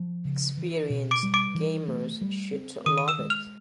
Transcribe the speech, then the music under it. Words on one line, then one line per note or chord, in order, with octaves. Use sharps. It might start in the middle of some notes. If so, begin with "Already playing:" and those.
Experienced gamers should love it.
Already playing: F3
C#3
E3
B2
D6 D7
G3
D6 D7
E3
A3
G3
C4
D#3 D#6 D#7
D#7
E6 E7
G#3
F6 F7